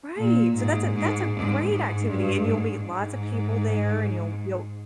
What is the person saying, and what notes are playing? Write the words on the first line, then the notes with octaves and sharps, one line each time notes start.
Right, so that's a that's a great activity, and you'll meet lotsa people there, and you'll you'll
A#2
G#2
G#2
G#2
G#2
G2
G#2
G#2